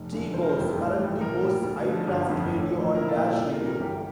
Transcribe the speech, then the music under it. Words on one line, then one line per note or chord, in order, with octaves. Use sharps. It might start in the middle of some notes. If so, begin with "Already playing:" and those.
T-Boz currently hosts iCraft Radio on Dash Radio.
Already playing: F1
E2 D3 F3
F1 C5
A#4
C5
F2 E3 G3
A1
G2 E3 G3
A#1 A#4
A2 G3
D2
D3 F3
G1
F2 D3 F3
A1
A2 F3
A#1 A#4
E4
F4
A#2 G3
A4
C2 D5
A#4
C3 E3 G3
A#4
G1 G4